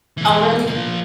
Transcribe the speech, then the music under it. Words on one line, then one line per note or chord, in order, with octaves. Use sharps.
Oh, really?
E3 G#3
F3 A#3